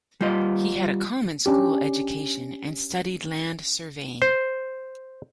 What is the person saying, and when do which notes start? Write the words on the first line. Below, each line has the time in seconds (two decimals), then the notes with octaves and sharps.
He had a common-school education, and studied land surveying.
0.21 G3 F4 D#5
1.46 C#4 D4 G4
4.22 C5